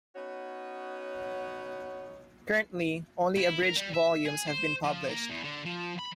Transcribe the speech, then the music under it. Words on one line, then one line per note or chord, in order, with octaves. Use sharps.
Currently, only abridged volumes have been published.
B3 C#4 D#4 F#4 C#5
E4
A#4
G3
E5
G#4
C5
F3
A#3
E2
D3
F3
B5